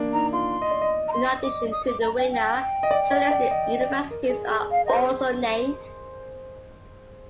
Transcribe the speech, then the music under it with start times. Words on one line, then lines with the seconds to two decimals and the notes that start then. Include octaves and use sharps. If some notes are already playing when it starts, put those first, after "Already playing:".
In addition to the winner, shortlisted universities are also named.
Already playing: A#3 D4
0.13 D#4 A#5
0.32 F4 C6
0.62 D#5
0.71 D5
0.81 D#5
1.08 A#5
1.12 C6
1.43 D6
1.71 D#6
1.87 D6
2.01 A#5
2.17 G5
2.24 G#5
2.31 G5
2.83 D#5
2.91 D5
3.11 D5
3.31 D5
3.51 D#5
3.81 D5
4.11 A#4
4.30 G#4
4.50 G#4
4.70 F5
4.85 C5 D#5